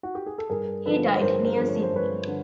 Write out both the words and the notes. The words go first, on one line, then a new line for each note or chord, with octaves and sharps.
He died near Sydney.
F#4
G4
G#4
A4
G2 G#4 A#4
D3 F3 A3 A4 B4
C#5
G2 A#4 C5
A#4 C5
D3 F3 A3
C#5
C5
G2 B4 C#5
D3